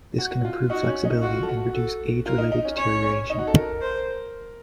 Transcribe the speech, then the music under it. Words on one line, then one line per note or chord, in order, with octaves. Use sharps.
This can improve flexibility and reduce age-related deterioration.
F#4
F4
D#4 F#4
C#4
D#4
F4 F#4
A4
F#4
A4
F4 A#4
D#4
D#4
C#4
C#4 C#5
C#4
D#4
F#4
A4
A#4
C5